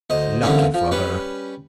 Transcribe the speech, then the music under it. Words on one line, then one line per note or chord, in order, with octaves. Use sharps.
Lucky for her!
D2 C5 D#5
D3 E3 G3 A#3 C4 C#4
F3
G3 C#4 B4